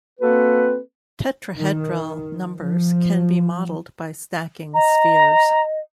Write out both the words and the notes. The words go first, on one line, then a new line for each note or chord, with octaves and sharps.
Tetrahedral numbers can be modelled by stacking spheres.
A#3 C4 F#4 A4 B4
D#3
F3
D#5 A#5